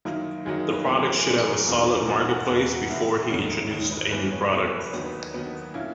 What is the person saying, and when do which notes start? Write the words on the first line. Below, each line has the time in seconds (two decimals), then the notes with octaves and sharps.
The products should have a solid market place before he introduced a new product.
0.05 F#2 D#3 F#3 A#3 D#4 E4
0.45 F#2 D#3 F#3 A#3 D#4 G#4
0.73 B4
0.86 F#2 E3 G#3 B3 G#4
1.06 A#4
1.27 F#2 E3 G#3 B3 C#5
1.48 A#5
1.67 E1 E2 B2 A#3 D#4 A#5
1.88 G#5
2.08 E1 E2 B2 A#3 D#4 F#5
2.29 F#5
2.49 E1 E2 C#3
2.89 E1 E2 C#3 E5
3.30 E1 D#2 D#3 C#5
3.71 E1 D#2 D#3 C#5
3.91 B4
4.11 F#1 F#2 E3 B3 B4
4.31 C#5
4.52 F#1 F#2 E3 B3 B4
4.66 C#5
4.79 B4
4.92 D#2 D#3 F#3 B3 C#5
5.05 B4
5.34 D#2 D#3 F#3 B3
5.74 A#2 A#3 C#4 E4